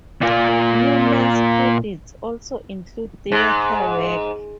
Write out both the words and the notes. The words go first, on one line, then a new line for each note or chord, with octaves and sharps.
Newman's credits also include theatre work.
A#2 F4
G#2